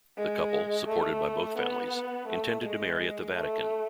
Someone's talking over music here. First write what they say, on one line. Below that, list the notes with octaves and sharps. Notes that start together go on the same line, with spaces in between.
The couple, supported by both families, intended to marry at the Vatican.
G#3
A3
B3
A3
G#3
A3